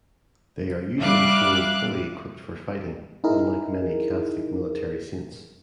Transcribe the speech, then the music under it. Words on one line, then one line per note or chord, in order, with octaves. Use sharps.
They are usually shown fully equipped for fighting, unlike many Catholic military saints.
G3 E5 F5 D6 F#6
D#4 E4 G#4 A#4